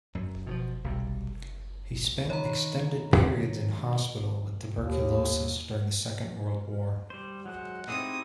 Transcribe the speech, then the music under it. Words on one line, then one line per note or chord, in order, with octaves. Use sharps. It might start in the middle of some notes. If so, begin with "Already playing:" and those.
He spent extended periods in hospital with tuberculosis during the Second World War.
F#2
B2 E3 F3
B1 C3 G3
D#3 C#5 A#5 B5
D#2
G3 C5
F#3 G#3 C5 F#5
C4 D#4 E4 G4 G#4 C5 D#6